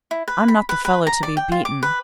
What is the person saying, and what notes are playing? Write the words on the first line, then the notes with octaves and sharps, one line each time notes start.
I'm not the fellow to be beaten.
E4
B4
B5
B4
B4
A#5
D5
G5
F4
D6
B4